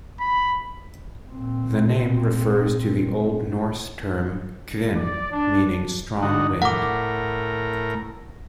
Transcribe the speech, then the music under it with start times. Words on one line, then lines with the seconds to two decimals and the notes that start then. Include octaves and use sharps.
The name refers to the old Norse term "kvin", meaning strong wind.
0.20 B5
1.29 A#2 C4
4.95 D5
5.31 D4
6.22 D3 D#4 F#4
6.62 A2 A#4 F#5 D6